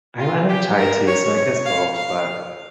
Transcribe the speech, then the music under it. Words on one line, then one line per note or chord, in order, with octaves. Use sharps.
I li I like chai tea, so I guess both, but
F4
G4
A#4
C#5
C#5
F5
F5